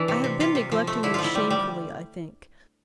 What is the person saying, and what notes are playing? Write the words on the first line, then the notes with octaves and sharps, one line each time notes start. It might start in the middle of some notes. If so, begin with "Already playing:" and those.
I have been neglecting you shamefully, I think.
Already playing: E3 D4 E4
C3
C3
C3 F4
C3
F3
A3
D3 E4
F3 F4
E4
G3
G3